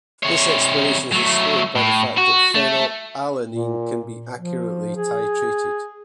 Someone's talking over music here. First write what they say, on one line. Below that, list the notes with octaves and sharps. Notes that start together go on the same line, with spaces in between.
This explanation is supported by the fact that phenylalanine can be accurately titrated.
C3 C#5
F#3 A3
A2
F#4
A3
A#2
F3
G#4